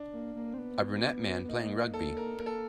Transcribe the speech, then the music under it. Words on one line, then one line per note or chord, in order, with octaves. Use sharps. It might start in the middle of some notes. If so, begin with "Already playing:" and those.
A brunette man playing rugby.
Already playing: D4
A#3
A#3
C4
B3
B3
A#3 D#4
A4
A#4
A#3 A#4
A4